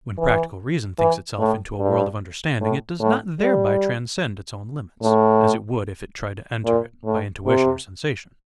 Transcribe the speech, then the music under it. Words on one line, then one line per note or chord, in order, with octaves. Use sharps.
When practical reason thinks itself into a world of understanding, it does not thereby transcend its own limits, as it would if it tried to enter it by intuition or sensation.
E3
E3
A2
G2
A2
A2
G3
A2
A#2
A2
C3